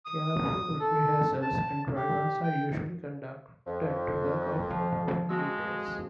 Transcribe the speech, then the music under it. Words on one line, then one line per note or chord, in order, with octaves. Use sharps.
Careful rehearsals and "dry runs" are usually conducted to work out problems and details.
D#6
A4
A5
G4
G5
F2
F3
F2 G#3 F#4 E6